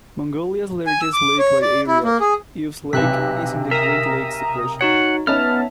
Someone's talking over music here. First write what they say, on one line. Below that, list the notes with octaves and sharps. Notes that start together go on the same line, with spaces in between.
Mongolia's largest lake by area, Uvs Lake is in the Great Lakes Depression.
G#5
E6
D6
C#5
D5
E4
A#3
G#4
B1 C3 B4 F#6 B6
A#4 E5 A#5 D#6
D#4 F#4 C#5 F#5
B3 C#4 D#4 E5 A5 F6